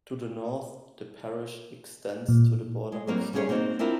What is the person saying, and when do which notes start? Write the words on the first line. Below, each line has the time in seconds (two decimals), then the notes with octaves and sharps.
To the north the parish extends to the border with Scotland.
2.28 A#2
2.92 G#3
3.07 F#3 G3 A#3 C4 A#4
3.21 G3
3.33 C#3 G3 C#4 G4 G#4 C#5
3.49 A#3 C4 D#4 F#4 C5 C#5
3.79 C4 D4 E4 F4 A#4